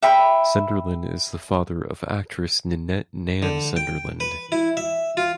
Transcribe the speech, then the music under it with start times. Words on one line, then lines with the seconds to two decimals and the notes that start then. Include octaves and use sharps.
Sunderland is the father of actress Ninette "Nan" Sunderland.
0.02 E5 G5 B5
3.43 D3
3.77 G5
4.20 B4
4.52 E4
4.77 E5
5.17 F4